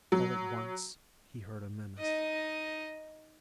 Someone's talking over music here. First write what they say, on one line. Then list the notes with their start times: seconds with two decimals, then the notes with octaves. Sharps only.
All at once he heard a menace.
0.12 F#3
1.98 D#4 D#5